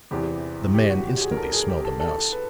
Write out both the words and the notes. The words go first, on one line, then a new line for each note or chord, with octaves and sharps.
The man instantly smelled a mouse.
E2 C3 E3 G4
G4
F#4
G4
G#4
A#4
A4
G#4
G4
A4
A4
B4